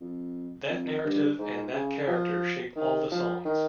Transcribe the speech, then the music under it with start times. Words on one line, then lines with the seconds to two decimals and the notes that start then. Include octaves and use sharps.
That narrative and that character shape all the songs.
0.01 F2
0.70 F2
1.04 G2
1.38 G#2
1.73 C#3
2.08 F3
2.76 D#3
3.11 F3
3.45 D#3